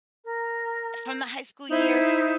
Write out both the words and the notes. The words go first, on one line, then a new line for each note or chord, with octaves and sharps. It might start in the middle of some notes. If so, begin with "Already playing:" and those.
from the high school years
A#4
D#4 E4 C5